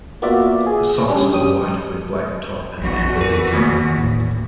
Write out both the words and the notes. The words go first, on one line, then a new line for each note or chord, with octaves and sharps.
The socks are white with black top and amber detail.
A#3 B3 F4 F#4 D5 E5
G#4
G3 C#4 D4
F#2 G4 D#6
A#1 E2 E3 F#3 F#4
F2 A#4
D#3 A3 A#3
D#1 A2